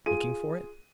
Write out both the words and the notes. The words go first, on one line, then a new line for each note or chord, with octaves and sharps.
"Looking for it?"
F4 G#4 D#7